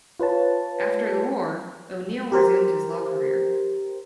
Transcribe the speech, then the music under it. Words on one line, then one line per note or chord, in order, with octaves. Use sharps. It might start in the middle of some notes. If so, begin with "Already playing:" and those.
After the war, O'Neal resumed his law career.
F4 B4 C#5 A5
G4 A#4 C5